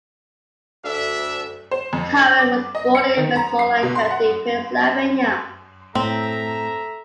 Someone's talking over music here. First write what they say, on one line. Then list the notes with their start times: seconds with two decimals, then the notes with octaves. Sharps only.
Cowan was born in Westmoreland County, Pennsylvania.
0.84 D2 D4 E5
1.71 C5
1.93 F2
2.19 F#7
2.39 D6
2.75 D#5
2.95 C#7
3.17 D#3
3.36 A#5
3.59 C7
3.83 B2
3.95 C6
4.11 F#5
5.95 A2 C4 A4 E5 A#5